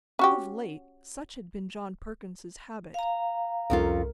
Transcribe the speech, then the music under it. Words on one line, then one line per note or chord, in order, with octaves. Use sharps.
Of late such had been John Perkins's habit.
C#4 F#4 G4
F5 A#5
C2 F2 C#4 F4 A#4